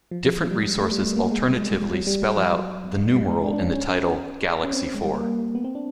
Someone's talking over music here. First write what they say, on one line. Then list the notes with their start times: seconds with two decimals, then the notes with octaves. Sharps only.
Different resources alternatively spell out the numeral in the title: "Galaxy Four".
0.11 F3
0.25 F3
0.41 F3
0.51 G3
0.61 G#3
0.81 A3
0.91 G3
1.02 A3
1.17 A#3
1.31 G#3
1.47 G3
1.55 G#3
1.61 G3
1.82 G3
1.93 F#3
2.07 G3
2.22 G3
2.37 F3
2.52 F#3
3.13 G3
3.29 G#3
3.43 D4
3.53 D4
3.58 C#4
3.73 C#4
3.88 C#4
4.63 C#4
4.73 C4
4.84 C4
4.94 G#3
5.03 G3
5.14 A#3
5.55 B3
5.64 C4
5.75 D4